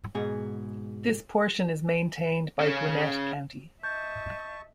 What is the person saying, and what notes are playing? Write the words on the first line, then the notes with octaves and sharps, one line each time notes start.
This portion is maintained by Gwinnett County.
G#2 B2 G#4
C#3 C#4
D#5 E5 A5 C#6 G6